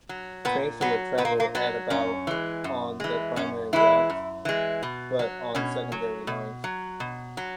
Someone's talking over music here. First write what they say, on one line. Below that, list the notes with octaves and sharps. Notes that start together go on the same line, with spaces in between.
Trains would travel at about on the primary routes, but on secondary lines.
F#3
A#2 B3
F#3 B3
A#2 B3
A#3
A#3
F#3 B3
F#2 C#4
E3 G#3
F#2
E3 G#3
F#2 C#4
E3 G#3 E4
F#2
E3 G#3
B2
F#3
B2 C#4
F#3
B2
F#3
B2
F#3